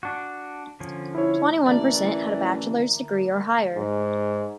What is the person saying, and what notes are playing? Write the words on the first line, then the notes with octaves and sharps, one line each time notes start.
Twenty-one percent had a bachelor's degree or higher.
D4 F#4
D3 F3 C#4
E4 C#5
A1 E3 D4 E4 A#4 D5
G#2